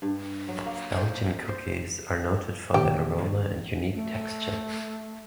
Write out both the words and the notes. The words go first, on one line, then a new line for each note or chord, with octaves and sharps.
Belgian cookies are noted for their aroma and unique texture.
G2
F#3
A#3
C5
C5
A#2 D#3 G4
A3